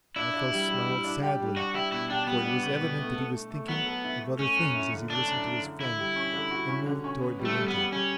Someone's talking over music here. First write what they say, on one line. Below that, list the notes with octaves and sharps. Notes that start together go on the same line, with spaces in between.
Athos smiled sadly, for it was evident that he was thinking of other things as he listened to his friend and moved toward De Winter.
D4 E4
D4
G3
G3
G3
D4
G4
G3
D4 F#4
E4 G4
B2 E4
D4 G4
G3 B3
D4
B2
B2
A3
A4
A3
A3
F#3 B3
A4
E4
A3
A3 C#4
F#2
E4
D3
A3 D4
F#2
F#2
D3
D3 E4
G3
C#4
D3
F#4
C#4
D3
C#4
B3
G3
A3
G3
B3
G3
G3 C#4